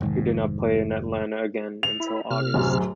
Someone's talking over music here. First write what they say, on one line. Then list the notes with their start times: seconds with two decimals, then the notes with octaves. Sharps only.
He did not play in Atlanta again until August.
0.01 F1 G#2 D#3
1.83 F7
2.00 E4
2.30 C3 F6
2.54 D1 F#2